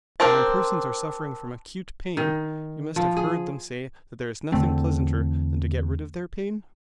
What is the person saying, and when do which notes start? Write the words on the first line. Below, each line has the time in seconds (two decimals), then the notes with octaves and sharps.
And when persons are suffering from acute pain, you must have heard them say that there is nothing pleasanter than to get rid of their pain?
0.20 C4 D4 A#4 C5 A5
2.17 D#3
2.96 F3
3.17 G#4
4.52 E2 D3 A3 C4